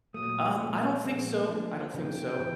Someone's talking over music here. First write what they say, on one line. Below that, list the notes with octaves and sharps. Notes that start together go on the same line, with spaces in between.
um I don't think so, I don't think so.
A#2 F#3 A3 D#6
A#2 F3 A3 C#4
A#2 F3 G#3 B3
F3 A#3 D4
C#3 F3 A#3 D#4 G5
A2 E3